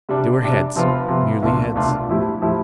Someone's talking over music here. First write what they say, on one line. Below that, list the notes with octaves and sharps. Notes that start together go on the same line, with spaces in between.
They were heads--merely heads.
C3 G3 D4
C3 G3 D4
C3 F3 B3 F4
C3 F3 B3 F4
C2 B2 A3 D4 F4
C2 B2 A3 D4 F4
A2 F3 A3 E4 G4
A2 F3 A3 E4 G4